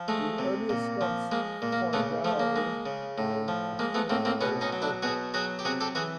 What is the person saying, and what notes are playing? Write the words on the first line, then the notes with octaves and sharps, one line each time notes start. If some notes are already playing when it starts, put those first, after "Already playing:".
In earlier Scots "fardell" meant a fourth or quarter.
Already playing: F3
G#3 A3
C3
A#2
F3
G#3 A#3
A#2
A#3
C#3 A3 B3
F3 A3
A#3
G#3
C#3
A2
F3
G#3 A#3
A3 B3
A2 A#3 C4
A#3 C4
B2 B3 C#4
C#4 D#4
F#3
D4 E4
B2 F#4 G#4
F#3 F#4 G#4
G4
C3 F#4 G#4
G4 A4
E3 F#4 G#4